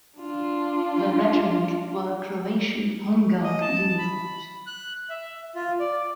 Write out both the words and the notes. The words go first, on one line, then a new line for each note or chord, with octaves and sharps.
The regiment wore Croatian Home Guard uniforms.
D4 F4
D#5
A5
B5
F#6
E5
F4
D5